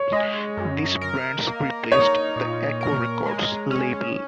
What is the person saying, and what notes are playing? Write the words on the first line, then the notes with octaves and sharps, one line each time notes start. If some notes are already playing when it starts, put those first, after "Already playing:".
These brands replaced the Aco Records label.
Already playing: C#5
G#3 D#5
F#2
A#4
A#3
D#4 C#5
A#2
A#4
G#3
C#4